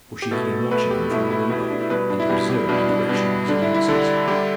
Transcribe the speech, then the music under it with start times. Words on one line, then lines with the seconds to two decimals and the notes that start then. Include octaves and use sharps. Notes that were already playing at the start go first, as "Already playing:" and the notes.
For she has been watching him from a window, and observed the direction of his glances.
0.22 G4
0.31 B2 A3 A4
0.71 B2 A3 B4
0.91 G4
1.11 B2 A3 E4
1.31 E4
1.50 B2 A3 E4
1.60 G4
1.70 D4
1.81 E4
1.90 B2 G3 B4
2.00 B4
2.10 D4
2.20 E4
2.29 B2 G3 G4
2.50 G4
2.69 B2 D4
2.72 G3
2.79 E4
2.89 D4
3.09 B2 G3 D4
3.48 D3 G3 D4
3.62 E4
3.74 E4
3.88 D3 G3 A4
4.27 D3 G3 G4